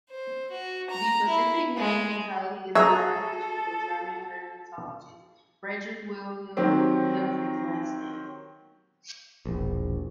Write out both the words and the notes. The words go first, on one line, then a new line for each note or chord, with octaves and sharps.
The specific name, "henkeli", is a Latinization of German herpetologist Friedrich-Wilhelm Henkel's last name.
C5
F#4
A#5
E4
G#3
F#3 G#4 A4 E5 A#5
D#3 F#3 C4 G4
E1 A#1